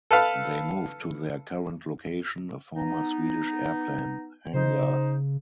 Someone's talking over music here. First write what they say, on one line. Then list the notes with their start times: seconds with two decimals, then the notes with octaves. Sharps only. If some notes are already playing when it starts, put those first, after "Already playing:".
They moved to their current location, a former Swedish airplane hangar.
0.11 A4 B4 F5
2.76 B3 D#4
4.54 C#3 D#4 C5